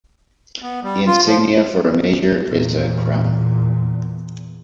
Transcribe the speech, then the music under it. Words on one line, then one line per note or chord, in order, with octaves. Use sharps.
The insignia for a major is a crown.
B3
G3
F4
F3
E2 A#2